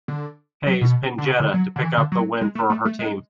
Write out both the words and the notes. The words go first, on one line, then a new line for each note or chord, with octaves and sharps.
Haze pinned Jetta to pick up the win for her team.
D3
F#3
B2
D3
C#3
D3
F#3
D3
E3
D3
F#3
G#3
A3
A3
A3
G#3